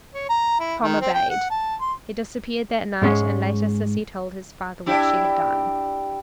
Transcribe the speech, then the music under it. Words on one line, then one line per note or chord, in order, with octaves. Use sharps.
Tom obeyed. He disappeared that night, and later Sissy told his father what she had done.
C#5
A#5
E4
D#3
C4
G5
F#5
A5
C6
G#2 G#3 C#4
D4 E4 G4